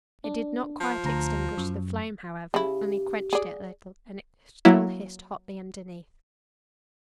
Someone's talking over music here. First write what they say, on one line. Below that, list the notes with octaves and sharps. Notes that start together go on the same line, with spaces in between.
It did not quite extinguish the flame, however--only quenched it a little--and it still hissed hotly underneath.
D4
F3
D2 A#5
F#2
C#3 E4 G4
G#4 D5
F#3 A#3 E4